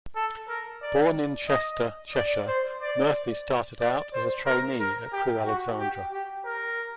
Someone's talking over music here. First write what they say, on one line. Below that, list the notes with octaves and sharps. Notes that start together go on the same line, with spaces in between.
Born in Chester, Cheshire, Murphy started out as a trainee at Crewe Alexandra.
A4
A#4
D5
D#5
D5
C5
D5
D5
C5
A#4
A#4
G4
F#4
G4
G4
A#4